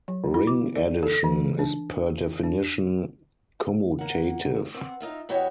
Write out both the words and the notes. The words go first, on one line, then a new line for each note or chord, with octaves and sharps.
Ring addition is per definition commutative.
F#3
E4
D6
D5
A4
E3
D4
D4
A#3 F#5
B3 C4
D#4 F4 E5
E2 B3 F#4 G4 C#5 D#5